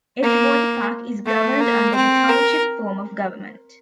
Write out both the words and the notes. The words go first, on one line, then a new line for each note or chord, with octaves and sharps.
Edgewater Park is governed under the Township form of government.
A#3
A3
A#3
C4
A#4